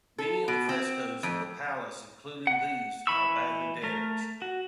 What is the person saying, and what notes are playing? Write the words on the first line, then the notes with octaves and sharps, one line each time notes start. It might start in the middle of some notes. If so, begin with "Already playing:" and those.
Many of the frescoes in the Palace, including these, are badly damaged.
A4
B2
C4
F2
F#5
E3 B5 C#6 E6
A3 A#4
F#4